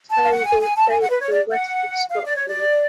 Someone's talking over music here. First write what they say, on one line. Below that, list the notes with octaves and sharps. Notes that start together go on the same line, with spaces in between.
Turnbull played for West of Scotland.
A5
F5
F#5
G#5
G#5
A5
G#5
F#5
B4
C#5
D5
F#5
F5
D5
C#5
D5